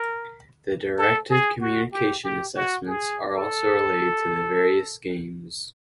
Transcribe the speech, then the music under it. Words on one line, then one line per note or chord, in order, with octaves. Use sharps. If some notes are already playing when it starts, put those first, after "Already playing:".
The Directive Communication assessments are also related to the various games.
Already playing: A#4
A4
G#4
F#4
G4
G4
F#4
G#4
A4